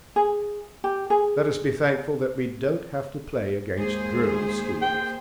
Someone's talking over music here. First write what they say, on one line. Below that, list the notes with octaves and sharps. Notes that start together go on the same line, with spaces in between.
Let us be thankful that we don't have to play against girls' schools.
G#4
G4
G#4
D#2 G#3 G#4 C5
G5